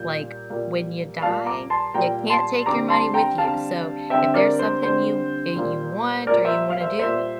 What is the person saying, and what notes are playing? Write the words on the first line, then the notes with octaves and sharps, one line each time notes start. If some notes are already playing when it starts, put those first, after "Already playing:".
Like, when you die, you can't take your money with you, so if there's something you that you want or you wanna do,
Already playing: A#2 G3 A#3 G6
A#2 G3 A#3
A#2 G3 A#3 F5 A5
A#5 D6
A5 C6
A#2 G3 A#3 G5 A#5
A5 C6
D3 G3 C4 A#5 D6
A5 C6
G5 A#5
D3 G3 C4 F5 A5
D3 G3 C4 E5 G5
A#4 D5
C5
D3 G3 C4 C5
A#2 G3 A#3
A#2 G3 A#3 A#4 D5
C5 E5
F5
C5 E5
A#2 G3 A#3 C5 E5